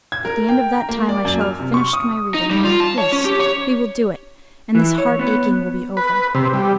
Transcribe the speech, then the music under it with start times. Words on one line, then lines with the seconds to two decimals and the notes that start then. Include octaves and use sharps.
At the end of that time I shall have finished my reading--yes, we will do it, and this heart-aching will be over.
0.12 G#6
0.25 A#4
0.49 G5
0.76 A#5
0.89 A#3
1.09 D5
1.25 F#2
1.41 F6
1.59 C3
1.74 C#6
1.93 D#6
2.34 D#4
2.50 G3
2.64 F4
2.80 A5
2.98 C#5
3.12 C#4
3.25 G4
3.40 C#5
4.75 E3
4.98 C#5
5.19 B3
5.97 B4
6.35 C3
6.54 G3